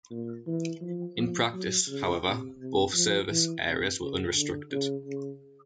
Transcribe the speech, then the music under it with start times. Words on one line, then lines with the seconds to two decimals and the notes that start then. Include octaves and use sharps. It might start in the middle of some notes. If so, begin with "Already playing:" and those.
In practice, however, both service areas were unrestricted.
0.11 A#2
0.47 E3
0.82 F3
1.17 F3
1.53 F#3
1.88 C#3
2.24 C3
2.59 C3
2.94 F3
3.30 E3
3.65 C3
4.01 C#3
4.35 D3
4.71 C#3
5.06 C#3